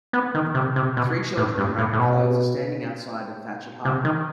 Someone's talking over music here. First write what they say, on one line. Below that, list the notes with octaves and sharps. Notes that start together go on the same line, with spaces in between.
Three children in ragged clothes are standing outside a thatched hut.
B3
D#3
C3
C3
B2
A2
G2
A2
A2
B2
C3
D#3